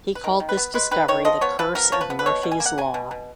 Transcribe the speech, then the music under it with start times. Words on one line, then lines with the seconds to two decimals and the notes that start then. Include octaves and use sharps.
He called this discovery the Curse of Murphy's Law.
0.15 B4
0.24 D#3 A#4
0.40 D#3
0.49 B4
0.57 B3
0.74 G#3 B4
0.91 D#3 B4
1.08 D#3 C#5
1.25 F3 D#5
1.41 B3 C#5
1.59 F3 B4
1.75 B3 A#4
1.92 F3 C#5
2.01 B4
2.10 B3
2.19 B4
2.26 B2 C#5
2.43 B2
2.52 G#5
2.60 A#3
2.66 F#5
2.78 F#3 G#5
2.94 B2
3.11 B2